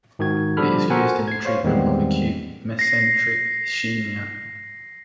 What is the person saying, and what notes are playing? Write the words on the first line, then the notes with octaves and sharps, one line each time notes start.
It is used in the treatment of acute mesenteric ischemia.
G#2 D#3 F#4 G#6
D3 F3 G3 A4 B5 F6
F#4 A4 A#4 C5 F#5 G#5
G#6 C7
C5 C#5 F5
E2 D#3 G3 G#3 B3 C4
A#6 C7